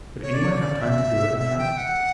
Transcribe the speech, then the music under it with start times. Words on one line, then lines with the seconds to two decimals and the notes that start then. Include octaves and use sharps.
"Would anyone have time to do it?" I asked.
0.23 C#5
0.33 D5
0.43 C#5
0.52 D5
0.81 E5
1.39 E5
1.58 G5
1.77 F#5